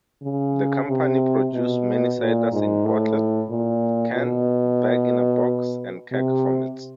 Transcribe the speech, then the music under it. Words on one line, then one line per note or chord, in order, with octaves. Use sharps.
The company produce many ciders in bottle, can, bag in box and keg formats.
C#3
C3
B2
A#2
G#2
A2
A#2
B2
C3